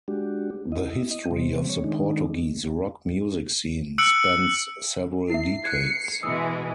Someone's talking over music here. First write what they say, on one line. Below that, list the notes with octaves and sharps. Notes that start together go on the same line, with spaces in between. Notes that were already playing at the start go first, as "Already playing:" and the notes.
The history of the Portuguese rock music scene spans several decades.
G#3 D4 F#4 G4
E4 D#5
D#5
C3 E3 G3 C4
C#5
D#3 G#3 D4 D#4
E6 F#6 C#7 D7 F#7
E4 E5 C7
F#6 G#6 C7 C#7
B2 E3 G#3 D#6 E6 C#7